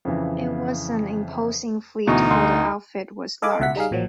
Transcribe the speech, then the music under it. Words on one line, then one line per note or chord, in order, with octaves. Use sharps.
It was an imposing fleet for the outfit was large.
F2 C#3 E3
D2 B2 E3 D#4 D#5 C#6
D2 C6
A4 D#5 F5 G#5 B5 D6
C#2 B2 E5 F#5 B6
G3 D#4 G#4 F5
A1 A#2 F3 F#3